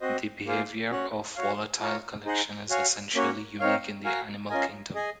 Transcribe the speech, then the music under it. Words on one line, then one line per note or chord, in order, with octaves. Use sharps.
The behavior of volatile collection is essentially unique in the animal kingdom.
C4 F#4 C5 D#5
A#3 F4 G#4 C5 F5
C#4 F#4 C#5 F#5
F#4 C#5 F5
F4 A#4 C#5
D#4 G#4 C5 D#5 F#5
F#4 C#5 F5 G#5
A#3 C#4 F#4 C#5
C4 D#4 A#4 C#5 F5
F#4 A#4 F5 G#5
C#4 F4 A#4 D#5 G#5
G#4 D#5 G#5